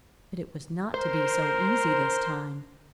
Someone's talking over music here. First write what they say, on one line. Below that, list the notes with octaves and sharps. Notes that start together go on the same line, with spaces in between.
But it was not to be so easy this time.
A#4 C5